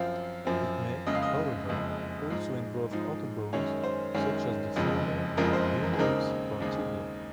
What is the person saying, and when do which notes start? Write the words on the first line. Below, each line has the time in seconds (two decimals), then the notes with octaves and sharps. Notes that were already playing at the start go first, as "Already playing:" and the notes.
It may, however, also involve other bones such as the femur, humerus, or tibia.
Already playing: F#2 F3 C4 F5
0.45 F#2 F3 C4
1.06 F#1 F2 C#3 G#3 D#5
1.15 F5
1.22 D#5
1.69 F#1 F2 C#3 G#3
2.30 G#2 F3 G#3 D#4
2.91 G#2 F3 G#3 D#4
3.53 F#2 D#3 G#3 C#4 C#5
3.84 C5
4.14 F#2 D#3 G#3 C#4
4.76 F#1 F2 C#3 F3 G#3
5.37 F#1 F2 C#3 F3 G#3 A#4
5.53 C5
5.83 A#4
5.94 G#4
5.98 D#2 C#3 G#3 C4 D#4 A#4
6.60 D#2 C#3 G#3 C4 D#4